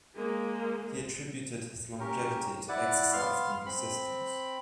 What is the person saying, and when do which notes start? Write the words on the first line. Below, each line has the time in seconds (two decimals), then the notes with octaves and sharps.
He attributed his longevity to exercise and persistence.
0.16 G#3 A#3
2.00 C#4 G4 A#4
2.69 E4 D5 F#5
3.13 B3 F5 C6 F6
3.66 C4 B5